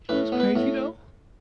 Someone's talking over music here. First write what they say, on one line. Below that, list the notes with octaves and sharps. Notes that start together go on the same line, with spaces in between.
You know, it's crazy though?
A2 B4
B3
B4
A2